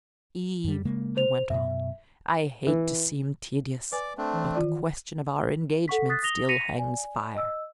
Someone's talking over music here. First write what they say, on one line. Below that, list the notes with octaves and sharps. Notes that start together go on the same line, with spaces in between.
"Eve," I went on, "I hate to seem tedious--but the question of our engagement still hangs fire."
F#2 G3
C#3 G#3 A#3
C5 F7
F#2 B2 E5
E3
B4 D5 G#5 D6
A3 C4 D4
E3
D#3 F4 D5
A4 F#5 C#6 B6
D#6 F#6 A6 B6 C7
D#6 A#6 F7 G7
A#6 B6 C#7 D#7 F7
D5 G#5
D#5 E6